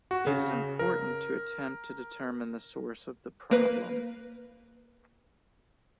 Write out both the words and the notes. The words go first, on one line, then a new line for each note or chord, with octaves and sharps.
It is important to attempt to determine the source of the problem.
F#4
C#3
A#4
A#3 B4